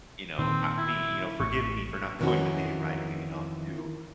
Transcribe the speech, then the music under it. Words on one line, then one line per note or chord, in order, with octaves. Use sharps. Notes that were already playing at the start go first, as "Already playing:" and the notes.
you know, uh me you know, forgive me for not knowing the name, right? You you know, I'm too
A#2 D#3 C4
E4
A1 C#6
F2 D#3 E3 C#4 F#4